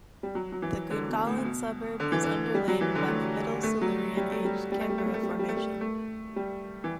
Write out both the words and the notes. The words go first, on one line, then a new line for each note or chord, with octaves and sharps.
The Gungahlin suburb is underlain by the middle Silurian age Canberra Formation.
G3
F#3
F#3
E3
D3
B2
A2
A2
B2
D3
E3
D3
G3
F#3
E3
D3
A3
A3
F#3
G3
A3
G3
G3
A3
G3
A3
G3
A3
G3
A3
G3
A3
G3
A3
G3
E3